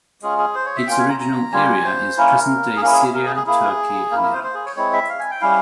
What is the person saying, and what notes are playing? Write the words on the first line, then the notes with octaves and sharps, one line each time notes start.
Its original area is present-day Syria, Turkey, and Iraq.
G#3 C#4 F4 G#4
G#4
C5
C#5
E5
A#3 C#4 F4 G5
G#5
A#5
A#5
G3 A#3 F4 G#5
C5
A#3 C#4 E4 A#4
G#4
A#3 C#4 E4 A#4
G#4
A#4
G#4
G#4
A#3 E4 G#4
A#3 A#4
E4
A#4
C5
C5
G#4
C#5
G#3 C4 E4 C#5
E5
F5
G#5
G5
G3 C#4 E4 F5